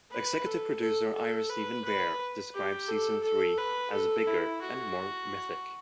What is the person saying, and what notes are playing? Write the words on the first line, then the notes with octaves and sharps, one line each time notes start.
Executive Producer Ira Steven Behr described season three as bigger and more mythic.
B4
A4
A4
A4
B4
B4
G4
A4
A4
B4
A4
E4
F#4